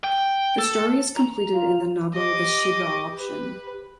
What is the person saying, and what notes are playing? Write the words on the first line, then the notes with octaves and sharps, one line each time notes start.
The story is completed in the novel "The Shiva Option".
G5
A4
A#5
F4
G4 D#5 D6
B4